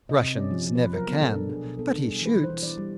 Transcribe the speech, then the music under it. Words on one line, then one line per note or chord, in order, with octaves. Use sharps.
"Russians never can; but he shoots."
C3 D#5
C3
C#4 D5
F3
F3
F3 B4
F#3 A#4
B3
B2 A4
D4
D4 G#4
B2
B3 A4
D4
G3 G#4
E3 B4
E3
C5
E3
E3 D5
G3